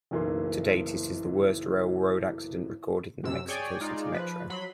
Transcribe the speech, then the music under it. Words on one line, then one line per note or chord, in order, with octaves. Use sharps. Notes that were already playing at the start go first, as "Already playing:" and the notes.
To date, it is the worst railroad accident recorded in the Mexico City Metro.
F#1 B1 E3 A#3 C6
F#2 C3 E6
G#4 C#5 D5 G5 G#5
G#3 D#4 F4 D5
F3 B4
F#3 B5 C6